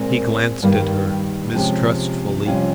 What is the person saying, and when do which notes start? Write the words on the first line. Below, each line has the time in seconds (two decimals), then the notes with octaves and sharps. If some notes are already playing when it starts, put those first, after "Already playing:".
He glanced at her mistrustfully.
Already playing: A#2 G#3 C4 A#4
0.62 G2 D#3 G3 A#3
1.54 C3 F3 G#3 C#4 G4
2.46 F2 C3 G3 C#4 F4